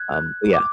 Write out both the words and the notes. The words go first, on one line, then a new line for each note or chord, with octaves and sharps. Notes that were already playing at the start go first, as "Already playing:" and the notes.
um, but yeah,
Already playing: F#6 G#6
F#6
D6